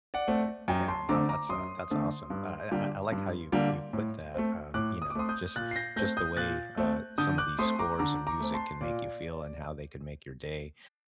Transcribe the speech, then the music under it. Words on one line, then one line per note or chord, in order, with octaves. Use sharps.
Ye yeah, no, that's, uh, that's awesome. I I I I like how you you put that, um you know, just just the way, uh, some of these scores and music can make you feel and how they can make your day.
D5 F#5
A3 C4
F#2 G5 A#5
A5 C6
D3 A3 C4 A#5 D6
A#5 D6
F#2 C6 D#6
D3 A3 C4
G2
D3 G3 A#3
G2
D3 G3 A#3
A2
A3 C4
A2 D6 F#6
D#6
D6
A3 C4 C6 D#6
D#6 G6
A#2 F#6 A6
C7
G6 A#6
A3 C4 G6 A#6
D#6 G6
A#2 F#6 A6
A3 C4
D3 D#6 G6
D6 F#6
A3 C4 C6 D#6
A#5 D6
D3 A#5 D6
A#5 D6
A3 C4
A5 C6
A#2 D5